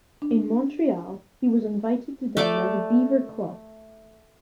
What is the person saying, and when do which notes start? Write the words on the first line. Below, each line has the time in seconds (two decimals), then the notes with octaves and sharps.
In Montreal, he was invited to dine at the Beaver Club.
0.22 D4
2.37 A3 D5 D6